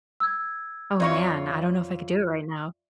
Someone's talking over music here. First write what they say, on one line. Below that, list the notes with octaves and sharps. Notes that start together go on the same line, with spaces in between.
Oh, man, I don't know if I could do it right now.
E6 G#6
F2 F4 C#5 D5 E5 C#6